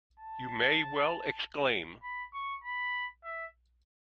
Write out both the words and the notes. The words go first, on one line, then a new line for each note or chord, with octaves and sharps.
You may well exclaim.
A5
B5
C#6
B5
E5